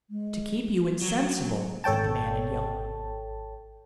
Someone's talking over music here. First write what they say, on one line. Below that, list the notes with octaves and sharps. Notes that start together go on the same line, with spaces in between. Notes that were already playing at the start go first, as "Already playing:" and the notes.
"To keep you insensible," said the man in yellow.
G#3
F#3
G#1 A4 C#5 G5 A5